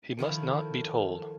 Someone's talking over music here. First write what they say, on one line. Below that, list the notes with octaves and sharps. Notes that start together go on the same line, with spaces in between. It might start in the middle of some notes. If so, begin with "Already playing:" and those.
He must not be told.
D#3 F3 E4 A4